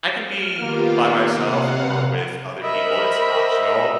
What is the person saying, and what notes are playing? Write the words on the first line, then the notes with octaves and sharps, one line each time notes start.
I can be by myself or with other people, it's optional,
F6
D#3 A#3 B3 F4 G4
C3 F5 F#5
A#4 C5 D#5 E5 B5